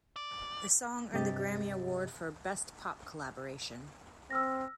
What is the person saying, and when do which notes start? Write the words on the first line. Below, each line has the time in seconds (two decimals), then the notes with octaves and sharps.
The song earned the Grammy Award for "Best Pop Collaboration".
0.16 D5
1.14 G2 C3 G4 D#5 A6
4.30 C4 E6 F6 A#6